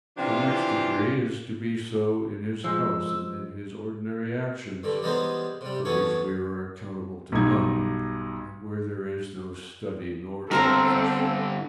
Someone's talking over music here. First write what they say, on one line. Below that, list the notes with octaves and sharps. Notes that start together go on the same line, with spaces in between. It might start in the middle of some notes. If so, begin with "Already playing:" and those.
The next degree is to be so in his house, and in his ordinary actions, for which we are accountable to none, and where there is no study nor artifice.
C3 E3 F3 D4 F4
F3 G#3 E6
G2 D3
E3 G3 G#3 B3 D#4 C5
C3 G3
E2 E3 A3 B3 C#5 C#6
B1 G2 D#4 G#6
G2 D3 C4 A4 A#4 C5 A#5